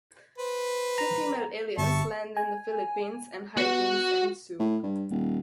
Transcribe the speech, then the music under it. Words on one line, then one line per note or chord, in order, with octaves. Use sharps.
Two female aliens land in the Philippines and hijinks ensue.
B4 C5
A#5
G1 E5 A5 C#6
G#5
B3 F#4 F#5
A2
G2
D#1